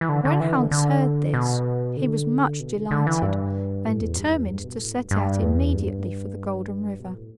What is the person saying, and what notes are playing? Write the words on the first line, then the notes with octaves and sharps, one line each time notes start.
When Hans heard this, he was much delighted, and determined to set out immediately for the Golden River.
E3
D3
D3
E3
D3
D3
B2
D3
B2
D3
D3
E3
G2
A2
E2
G2
E2
G2
B2
A2
G2
G2
E2
G2
B2
A2